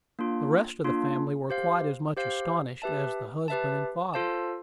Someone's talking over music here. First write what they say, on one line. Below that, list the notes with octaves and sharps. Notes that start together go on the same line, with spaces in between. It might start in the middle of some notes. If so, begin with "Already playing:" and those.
The rest of the family were quite as much astonished as the husband and father.
A#3 D4 F4
A#3 D4 F4
G4 C5 F5
G4 C5 F5
G4 B4 E5 A5
G4 B4 E5 A5
F4 A4 C5 F5 A5